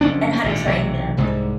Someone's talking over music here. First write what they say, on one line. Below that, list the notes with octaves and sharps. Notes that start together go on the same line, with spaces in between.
And how to train them.
F#1 F2 C#4 D4
G#1 A#2 D3
B1 C3 E3 F#3
C2 G#2 D3